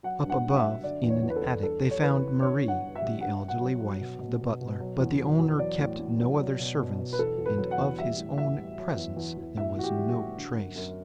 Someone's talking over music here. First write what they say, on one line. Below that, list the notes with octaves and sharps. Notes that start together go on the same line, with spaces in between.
Up above, in an attic, they found Marie, the elderly wife of the butler; but the owner kept no other servants, and of his own presence there was no trace.
F#3 F#5
G2
F#5
G2 F#5
E5
F#3
D3 D5
E2
C#5
E2
B4
A4
E2
G2 A4
G3
C#5
E3 B4
E3
D3 C#5
G2
F#5
G2
E5
G3
G2 F#5
G2
F#5
F#3
F#3
B2
B2
B2
B2
F#3
E2
F#3
E2
F#3 D5
A2
A2
F#3
F#3
B2
B2
B2
B4
E2 A4
E2
B4
F#3
F#5
E2
G3 E5
A2
A2 E5
G3
F#3
E2
E2
E2
A2 E5
E3 F#4
G4
G3
F#4
A2
D3
F#2
F#2